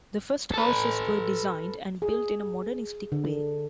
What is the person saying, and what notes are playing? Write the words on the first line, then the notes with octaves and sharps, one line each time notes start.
The first houses were designed and built in a modernistic way.
A4 B4
G#4
D3